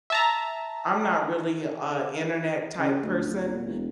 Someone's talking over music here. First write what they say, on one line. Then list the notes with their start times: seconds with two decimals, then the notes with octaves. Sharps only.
I'm not really a internet type person,
0.10 E5 A5 A#5
2.79 C#3
3.03 D2
3.25 D1
3.46 A#2
3.66 E1